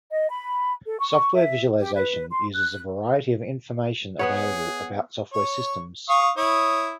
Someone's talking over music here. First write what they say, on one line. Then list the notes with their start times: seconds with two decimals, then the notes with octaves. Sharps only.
Software visualization uses a variety of information available about software systems.
0.12 D#5
0.30 B5
0.85 A4
0.99 C#6
1.35 E5
1.79 G4
1.95 B4
2.31 C6
2.54 F#6
4.19 B3 G#4 B4 C#5 F#5
5.33 C#5 C#6
6.09 F5 C#6 D#6
6.37 E4 C#5 D#6